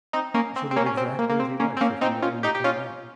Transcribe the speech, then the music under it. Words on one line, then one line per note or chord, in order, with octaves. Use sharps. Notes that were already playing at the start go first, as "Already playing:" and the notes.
He shall live exactly as he likes if he will only come back.
C4 D#4
A#3 C#4
C4
C4
A#3 C#4
C#4
C4
A#3
A#3
C4
A#3 C#4
C4
A#3 C#4
C4 D#4
C#4 F4
D#4 G4
G4
C#4 F4